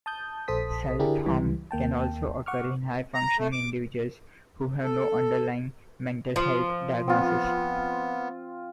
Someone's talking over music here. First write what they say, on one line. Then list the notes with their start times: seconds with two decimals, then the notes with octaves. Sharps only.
Self-harm can also occur in high-functioning individuals who have no underlying mental health diagnosis.
0.06 A5 D#6 G6
0.48 A#1 A4 C5 A5 D#6 B6
0.99 D3 D4 E4 G4 G#4 A#4
1.26 C#2 E3 G3
1.71 D#2 A#3 G5 A5
2.46 F#5 C#6 D6 F6
3.14 A#5
3.39 A3
3.52 D6
4.83 A4
6.36 F3
7.08 B3 C4 F4